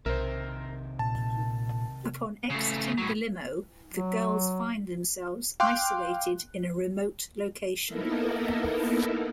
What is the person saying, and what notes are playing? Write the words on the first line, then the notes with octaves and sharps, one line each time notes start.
Upon exiting the limo, the girls find themselves isolated in a remote location.
B1 C3 D#3 A#4 C5 E5
A#2 A5
C#3 A3
A2 F#3
F#3
F5 G5 C6 D6 F#6
A#3 B3 D#4 E4 A4 A#4